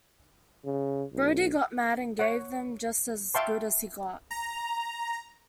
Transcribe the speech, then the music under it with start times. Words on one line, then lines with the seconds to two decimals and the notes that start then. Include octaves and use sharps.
Brodie got mad and gave them just as good as he got.
0.65 C#3
1.12 B1
2.19 C#5 F#5
3.34 E5 F5 G5 A5 C6 C#6
4.31 A#5